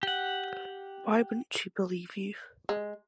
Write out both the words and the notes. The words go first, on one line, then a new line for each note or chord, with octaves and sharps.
Why wouldn't she believe you?
G4 F#5
G#3